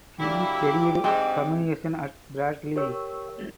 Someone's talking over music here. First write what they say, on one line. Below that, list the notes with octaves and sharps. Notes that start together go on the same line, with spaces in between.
He studied communications at Bradley.
D3 F#3 G3 A#3 E4 G4 D6
G#2 G#3 C4
G4 A#4 C#5 E6